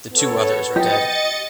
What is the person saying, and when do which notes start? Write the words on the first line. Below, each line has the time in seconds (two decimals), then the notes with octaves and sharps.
The two others are dead.
0.14 B3 A4 C#5
0.76 G4 D#5 A6 C#7